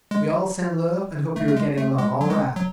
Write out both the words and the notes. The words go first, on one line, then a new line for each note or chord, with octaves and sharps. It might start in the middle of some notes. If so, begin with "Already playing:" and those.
We all send love, and hope you are getting along all right.
G#3
A3
A3
G#3
A3
G#3
F#3
G#3
F#3